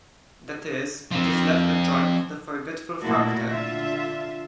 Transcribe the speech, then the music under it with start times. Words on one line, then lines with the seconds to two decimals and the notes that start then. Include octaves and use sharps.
That is, it is left adjoint to the forgetful functor.
1.11 F3 C4
3.02 A#2 A3 A#3 E4 F#4 A4
3.48 D3 F4 E5